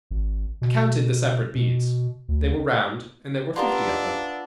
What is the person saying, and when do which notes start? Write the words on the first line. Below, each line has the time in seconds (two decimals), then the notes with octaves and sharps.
I counted the separate beads—they were round and there were fifty of them.
0.11 G#1
0.61 B2
1.55 B2
2.28 D2
3.56 B3 D4 F4 G4 A#4 D5 E5 A#5